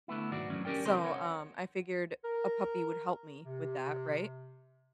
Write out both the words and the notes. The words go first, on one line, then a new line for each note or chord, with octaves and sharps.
So, um, I figured a puppy would help me with that. Right?
D3 A3 B3 E4
B1 G#2 D#3 D4 F#4 D5
F#2 A2 C3 F#3 C#4
C#4 G4 A#4 D5 G5
C2 D#3 C4 A#4 C5 C6
C#5 F#5
A#4
C3